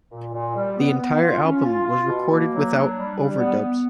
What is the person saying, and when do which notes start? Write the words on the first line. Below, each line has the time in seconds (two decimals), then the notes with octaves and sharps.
The entire album was recorded without overdubs.
0.11 A#2
0.33 A#2
0.55 G3
0.78 B3
0.99 B3
1.21 F4
1.43 C#4
1.65 F4
1.86 F4
2.09 B2
2.30 A#3
2.52 F#3
2.73 D4
2.96 G3
3.18 G3
3.39 B3
3.61 B3